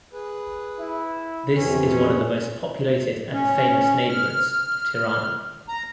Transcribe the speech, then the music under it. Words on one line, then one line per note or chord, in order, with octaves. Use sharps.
This is one of the most populated and famous neighborhoods of Tirana.
G#4 B4
E4
F2 C3 E3 C#4
C#4
F6
A#5